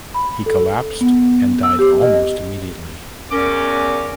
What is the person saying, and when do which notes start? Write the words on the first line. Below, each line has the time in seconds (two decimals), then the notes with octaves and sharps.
He collapsed and died almost immediately.
0.14 B5
0.46 A4
1.01 B3
1.63 E6
1.79 G4
2.02 D#5
3.31 E2 C#4 A#4 D6